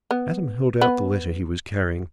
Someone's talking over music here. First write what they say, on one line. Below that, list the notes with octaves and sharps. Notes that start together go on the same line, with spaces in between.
Adam held out the letter he was carrying.
B3
B3